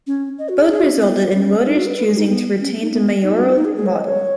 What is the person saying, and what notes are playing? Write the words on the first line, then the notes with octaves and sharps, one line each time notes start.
Both resulted in voters choosing to retain the mayoral model.
C#4
D#5
F#4
G#4
G#4
F#4
C#4
B3
C#4
D#4
F#4
B4
B4
G#4
D#4
B3
C#4
D#4
B3
D#4
F#4
C#4
F#4
D#4
G#4
G#4
C#5
D#5
C#5